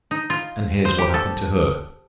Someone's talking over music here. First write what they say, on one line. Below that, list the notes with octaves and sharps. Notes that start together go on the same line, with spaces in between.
And here's what happened to her.
D#4
F4
C5
G4
A4